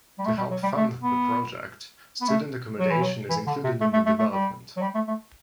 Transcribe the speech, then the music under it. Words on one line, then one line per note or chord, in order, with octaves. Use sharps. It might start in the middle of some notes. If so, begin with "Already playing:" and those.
To help fund the project, student accommodation is included in the development.
G3
A3
G3
F#3
G3
A3
B3
B3
A3
F#3
E3
F#3
E3
D3
C3
A3
A3
A3
A3
G3
F#3
G3
A3
A3